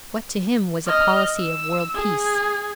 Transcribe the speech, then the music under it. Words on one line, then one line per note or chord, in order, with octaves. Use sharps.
What to him was a policy of world-peace?
D#5 F6
E6
G#4